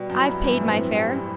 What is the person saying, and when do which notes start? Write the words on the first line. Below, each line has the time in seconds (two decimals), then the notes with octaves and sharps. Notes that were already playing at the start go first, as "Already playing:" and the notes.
I've paid my fare.
Already playing: B2 G3
0.10 F#2
0.15 E4
0.27 F#2
0.39 E3
0.44 G2
0.61 A2 C4
0.84 G3
1.08 E4